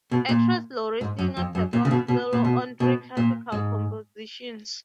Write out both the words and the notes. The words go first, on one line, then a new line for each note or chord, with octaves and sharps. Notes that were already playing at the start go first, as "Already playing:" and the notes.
Actress Lori Singer performs cello on three classical compositions.
B2
A#2
G#2
F#2
F2
F#2
A#2
C#3
B2
B2
A#2
B2
B2
A#2
G#2